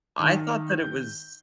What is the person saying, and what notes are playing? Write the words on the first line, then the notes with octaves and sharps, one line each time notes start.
I thought that it was
D#3
G6